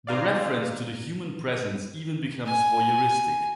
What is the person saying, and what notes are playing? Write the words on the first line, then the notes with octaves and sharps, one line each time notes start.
The reference to the human presence even becomes voyeuristic.
G#2 D#3 D5 F5 A#5
G#5